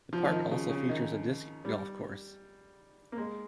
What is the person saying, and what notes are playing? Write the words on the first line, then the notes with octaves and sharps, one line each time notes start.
The park also features a disc golf course.
F3
F3
D#3
C#3
C#3
D#3
G3
A#3
G#3